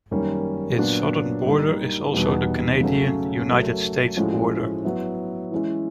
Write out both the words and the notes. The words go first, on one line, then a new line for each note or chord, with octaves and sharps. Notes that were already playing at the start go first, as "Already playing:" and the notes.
Its southern border is also the Canada-United States border.
F#2 D#3 G3 A#3 C#4
A#2 F#3 B3 D4
G3 A#3 D#4
E2 B2 G3 B3 D#4
C#3 F#3 A3 C#4
F#3 A3 C#4 F#4 A#4
A2 F3 G#3 C#4 F#4
F#3 B3 E4
E3 G#3 C#4 E4